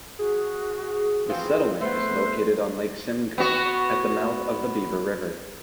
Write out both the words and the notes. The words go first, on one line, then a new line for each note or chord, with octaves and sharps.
The settlement is located on Lake Simcoe at the mouth of the Beaver River.
F#4 G#4
E3 F3 C4 F4
A3 B3 B4 C5
B3 F#4